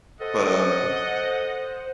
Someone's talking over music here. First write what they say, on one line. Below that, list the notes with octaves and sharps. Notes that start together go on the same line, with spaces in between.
but, um.
A4 C5 D#5 F#5